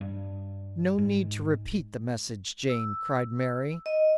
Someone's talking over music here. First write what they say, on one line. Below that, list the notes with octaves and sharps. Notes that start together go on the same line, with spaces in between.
"No need to repeat the message, Jane," cried Mary.
G2
G#2
E6
D#5